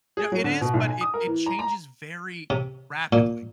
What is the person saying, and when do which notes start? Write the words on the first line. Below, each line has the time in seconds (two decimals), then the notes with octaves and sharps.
You know, it is, but it it changes very rapidly
0.17 G#4
0.32 F#3
0.44 D3
0.61 B2
0.74 B1
0.88 G#5
1.01 D#6
1.14 A#4
1.27 E3
1.46 A#5
1.59 A#5
2.50 C3
3.13 A#2